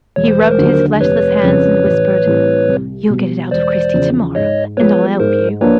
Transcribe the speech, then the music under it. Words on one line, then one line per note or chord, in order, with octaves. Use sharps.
He rubbed his fleshless hands, and whispered: "You'll get it out of Cristy to-morrow, and I'll help you."
E1 C#5
C5
B4
A#4 C5
D#2 D3 F#3
F1 B4 C#5
F2 C#3 F3
A1
A2 E3 G3 C4
C2
B2 G3
E1 C5 D5
E2 C#3 F3
G#2 C#5 D#5
F3 G#3 B3 B4 C#5
G#2 A#4 C5
F3 A#3 D4 B4 C#5